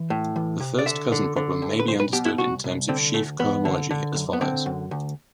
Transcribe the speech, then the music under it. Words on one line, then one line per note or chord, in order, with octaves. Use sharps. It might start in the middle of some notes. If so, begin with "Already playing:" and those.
The first Cousin problem may be understood in terms of sheaf cohomology as follows.
Already playing: E3
A2
E3
C3
D5
D3 E5
D3
D3
D2
B4
B1 C5
B4
B2 G4
E4
C2 F#4
C2
D3 C4
D2 A3
E2 B3
D3
D3
F#2
B3
D3 C4
F#2
D2